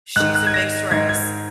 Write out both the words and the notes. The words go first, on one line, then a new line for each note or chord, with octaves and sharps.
she's a mixed race,
G#2 D#3 F#6
F#6
G#6
A#6
G#2 D#3 G#6
G#6